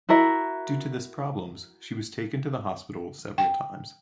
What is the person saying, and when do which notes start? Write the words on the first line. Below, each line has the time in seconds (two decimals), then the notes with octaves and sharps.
Due to this problems, she was taken to the hospital several times.
0.09 E4 F#4 A#4 E5
3.38 G5